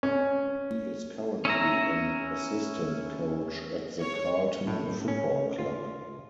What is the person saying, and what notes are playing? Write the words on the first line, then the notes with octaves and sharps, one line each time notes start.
He is currently an assistant coach at the Carlton Football Club.
C#4
C#4 E4 E5 A#5
C#5
A2
C#4
F4